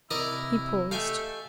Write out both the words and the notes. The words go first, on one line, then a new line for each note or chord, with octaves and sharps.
He paused.
C3 E3 E4 A#4 D5 D#5
A3 G4 A4 D#5 F5 G5 G#5